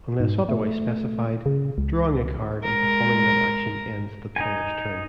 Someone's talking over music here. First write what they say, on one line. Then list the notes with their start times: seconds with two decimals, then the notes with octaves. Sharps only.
Unless otherwise specified, drawing a card and performing that action ends the player's turn.
0.20 G#2
0.49 A3
1.46 C#3
1.78 C#2
2.63 G#3 A#4
4.36 D#4 G#5